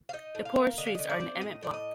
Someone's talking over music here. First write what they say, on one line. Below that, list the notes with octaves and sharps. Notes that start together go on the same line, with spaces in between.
The poorest streets are in the Emmett Block.
F5
D#4 D#5
A2
F5
A#3
D3 D#5
F5
D3 D#5
D5
C4
A2 D#5
A2 D5
D#5